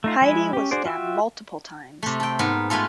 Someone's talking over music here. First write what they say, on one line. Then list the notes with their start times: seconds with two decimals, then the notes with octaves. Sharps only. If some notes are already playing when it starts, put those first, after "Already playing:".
Heidi was stabbed multiple times.
0.04 A3 D#4 F4
0.21 F3 G#3 E4 G#5 B5
0.53 C#4 G4
0.71 D4 F#4 G#4 C5 D5
0.85 F4 F#4 E5 G5 E6
2.03 C3 A3
2.20 A4 G5
2.39 G#2 B3 A#4
2.70 G#3 A3 B3 F4 A4